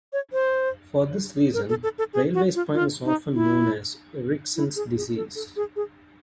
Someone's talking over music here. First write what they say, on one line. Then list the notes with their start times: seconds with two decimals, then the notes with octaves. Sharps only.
For this reason, railway spine is often known as "Erichsen's disease".
0.13 C#5
0.33 C5
1.54 A#4
1.69 A4
1.83 A4
1.98 A4
2.14 G#4
2.34 F#4
2.55 F4
2.74 F4
3.05 D#4
3.34 E4
4.56 E4
4.76 G#4
4.96 G#4
5.16 A4
5.35 A4
5.56 G#4
5.76 G#4